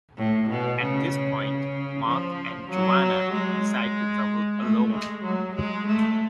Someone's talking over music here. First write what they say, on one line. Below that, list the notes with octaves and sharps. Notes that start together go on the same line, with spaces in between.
At this point Mark and Joanna decide to travel alone.
A2
B2
C#3
C#3
F3
F#3
G#3
A3
G#3
F#3
G#3
A3